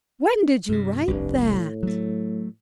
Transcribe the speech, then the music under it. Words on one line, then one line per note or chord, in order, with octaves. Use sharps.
"When did you write that?"
G2 C3
F1 C2 G2
A2
F#3 A3